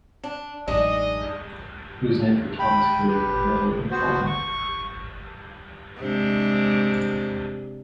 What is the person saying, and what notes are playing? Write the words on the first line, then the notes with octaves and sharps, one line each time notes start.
It was named for Thomas Cody, a railroad foreman.
D4
A1 F#2 G#3 D4 D#4 D5 D#5
G5 B5
G4 B4
B3 F#4 C5
C#6
C3 G#3 D4